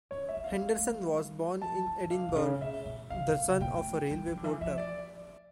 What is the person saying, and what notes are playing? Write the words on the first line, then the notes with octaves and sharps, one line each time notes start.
Henderson was born in Edinburgh, the son of a railway porter.
C#4 C#5
E5
D4
F5
C#4
A3
G3
F3 A5
E3
E3
D3 F5
A#2
C#3
A#2 E5
A#2
C#3 F5
A#2
C#3
A#2 G5
A3
G3
F3
D3
E3
F3 E5
D5